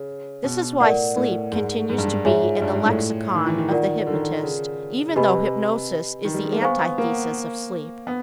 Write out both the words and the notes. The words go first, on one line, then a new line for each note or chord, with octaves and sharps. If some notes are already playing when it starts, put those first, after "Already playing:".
This is why "sleep" continues to be in the lexicon of the hypnotist even though hypnosis is the antithesis of sleep.
Already playing: C#3 C#5
B2
A2 A#4 D5 F#5
A2
G#2
G#2
G2
G#2
G#2 F4 G#4 C#5 E5 G#5
G2
G#2
A2
D#3
E3
D#3
F4 A#4 D5 F#5
D3
D#3
D3
C#3
C#3
C3 G4 B4 D#5 G#5 B5
D#3
G3
G#3
A#3
B3 C5 F5 G#5 C#6
B3
A#3
B3